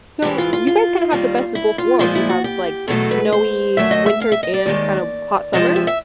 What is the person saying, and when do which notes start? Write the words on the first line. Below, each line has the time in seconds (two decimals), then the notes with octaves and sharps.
Stow, you guys kinda have the best of both worlds. You have, like, snowy winters and kind of hot summers?
0.22 G#2 E3 G#3 G4
0.38 F4
0.53 F4
0.67 F4
1.12 D#2 D#3 G3
1.55 E4
1.78 F4
1.99 A#2 F3 G#3 F4
2.15 E4
2.29 F#4
2.44 G4
2.88 E2 B2 F#3 A3 A4
3.11 B4
3.32 C5
3.77 F#2 D3 F#3 A3 E5
3.91 D#5
4.06 E5
4.21 F5
4.32 E5
4.43 D#5
4.54 D5
4.66 D#2 D#3 G#3
5.53 E2 C3 F3 G#3 D#5
5.76 E5
5.87 E5